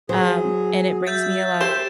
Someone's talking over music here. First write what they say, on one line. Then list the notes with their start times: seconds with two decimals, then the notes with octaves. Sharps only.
um, and it brings me a lot
0.09 F#3 G#4 C5
1.07 E5 G6 A6
1.61 G4 C5 E7